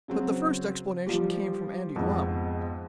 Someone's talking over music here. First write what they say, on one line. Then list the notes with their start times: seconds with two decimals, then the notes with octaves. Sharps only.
But the first explanation came from Andy Lumm.
0.08 C#3 F#3 C4
1.07 F3 G3 G4
1.96 F2 G#2 B3